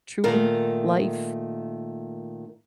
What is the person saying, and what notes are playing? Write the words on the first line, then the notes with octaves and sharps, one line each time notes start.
true life,
A#2 D#3 A3 A#4